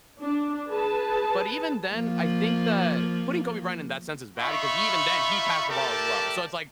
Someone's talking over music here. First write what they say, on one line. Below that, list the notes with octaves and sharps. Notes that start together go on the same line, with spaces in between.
But even then, I think that putting Kobe Bryant in that sense is bad because even then, he passed the ball as well. So, it's like,
D4
G#4 B4 A5
F3 A#3
D#4 F4 E5 B5 C#6
A3 G4 A4 A#4 D5 A5